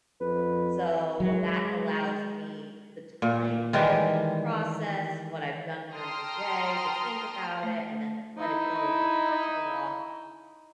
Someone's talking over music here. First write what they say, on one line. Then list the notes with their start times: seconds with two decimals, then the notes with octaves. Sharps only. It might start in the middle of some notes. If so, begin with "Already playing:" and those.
so that allows me the time to process what I've done during the day, to think about it, and then let it go over the course of the walk
0.20 F2 B4
1.20 F#3 G#3
3.22 A#2
3.73 D#3 E3 G3 G#3
5.93 G5 A5 A#5 C6 D#6 F6
7.63 A3
8.37 D#4 E4